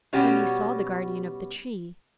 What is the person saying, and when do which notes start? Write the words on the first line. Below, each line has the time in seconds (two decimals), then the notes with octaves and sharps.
Then he saw the guardian of the tree.
0.13 B2 G3 C#4 F#4 G4